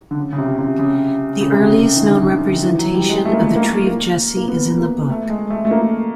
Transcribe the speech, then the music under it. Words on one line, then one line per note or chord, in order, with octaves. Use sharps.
The earliest known representation of the "Tree of Jesse" is in the book.
D3
C#3
C#3
C3
C3
C#3
C#3
C3
C#3
D#3
D3
D#3
D3
D#3
E3
F#3
G3
G#3
A3
A#3
A3
A#3
A#3
A#3
B3
A#3
A3
G#3
A3
A3
A#3